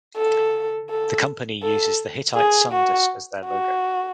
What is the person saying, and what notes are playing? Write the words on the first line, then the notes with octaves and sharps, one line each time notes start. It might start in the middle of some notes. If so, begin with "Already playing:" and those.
The company uses the Hittite sun disk as their logo.
A4
A4
A4
G#4
F#4
F#4